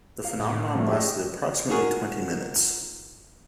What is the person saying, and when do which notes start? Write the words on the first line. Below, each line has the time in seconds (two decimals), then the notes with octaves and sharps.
The phenomenon lasted approximately twenty minutes.
0.24 F5
0.40 A2
0.74 D2 G2 F3 A3
0.88 G4 G#4 D#5
1.69 D#4 F4 F#4 G#4 A#4